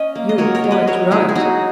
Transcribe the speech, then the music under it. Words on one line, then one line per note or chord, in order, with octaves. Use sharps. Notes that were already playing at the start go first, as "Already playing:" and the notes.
'You are quite right.
Already playing: C#4 D#5
A#3
D#5
F#3 A#4 C#5
A#4 C#5
F#3
B4 D#5
F#3 A#4 C#5
D#4 E4 G#4
G#4
F#3 D#4 F#4